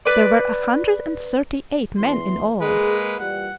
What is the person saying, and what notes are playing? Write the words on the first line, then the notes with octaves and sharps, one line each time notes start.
There were a hundred and thirty-eight men in all!
B4 D5
E2 C6
G#3 A#3 G#4 B4
A#2 E3 G3 F#5